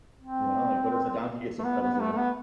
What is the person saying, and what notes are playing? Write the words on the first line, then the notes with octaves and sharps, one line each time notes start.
You know, like, what if the donkey gets upset with you?
C4
A3
B3
B3
B3
A3
A3
B3